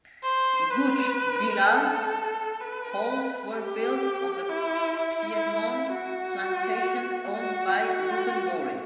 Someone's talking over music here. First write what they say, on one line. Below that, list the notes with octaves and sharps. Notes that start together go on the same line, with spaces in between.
Gooch Dillard halls were built on the Piedmont plantation owned by Reuben Maury.
C5
B4
A4
B4
G4
E4
E4
F#4
F#4
F#4